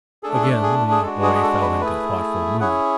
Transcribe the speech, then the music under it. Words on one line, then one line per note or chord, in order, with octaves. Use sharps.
Again the boy fell into a thoughtful mood.
A3 D4 G#4 A4
G#4
A4
G#4
G#4
G#3 D4 F#4 A4
G#4
G#4
A4
B4
A3 E4 G#4 B4
C#4 E4 G#4 F#5